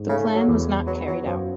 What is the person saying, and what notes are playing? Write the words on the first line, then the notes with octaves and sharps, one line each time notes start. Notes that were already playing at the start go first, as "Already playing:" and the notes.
The plan was not carried out.
Already playing: G#2
C#3 A3
F#3
E2
F#3 B3
F#3
F#2 F3